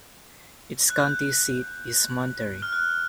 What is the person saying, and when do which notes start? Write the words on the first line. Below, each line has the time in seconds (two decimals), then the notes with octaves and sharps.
Its county seat is Monterey.
0.90 F#6
0.98 G6
2.62 F6
2.73 F#6